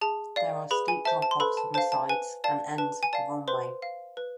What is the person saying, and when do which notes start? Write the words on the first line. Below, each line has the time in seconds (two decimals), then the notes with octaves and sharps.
There are steep dropoffs on the sides and ends of the runway.
0.01 G#4 A5
0.36 D5 F5
0.71 G#4 B4 B5
0.88 G#5
1.05 C5 E5 A5
1.22 A5
1.31 C6
1.40 A4 B4 B5
1.57 A5
1.74 C5 F5 A5
1.92 A5
2.09 B4 G#5
2.44 D5 F5 A5
2.78 B4 A5
3.03 G#5
3.13 D5 F5 A5
3.48 B4 C5 C6
3.82 F5
4.17 B4